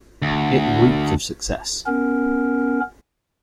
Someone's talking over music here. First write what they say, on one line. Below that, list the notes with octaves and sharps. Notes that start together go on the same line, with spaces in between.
It reeked of success.
D2
B3 C#4 A#4